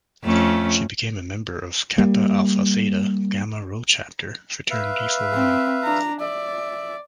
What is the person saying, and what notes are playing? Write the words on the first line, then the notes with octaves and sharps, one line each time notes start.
She became a member of Kappa Alpha Theta, Gamma Rho chapter, fraternity for women.
F2 A3 C#4
G3 A#3
B4 E5 F5
C4
D4 A#5
D5 E5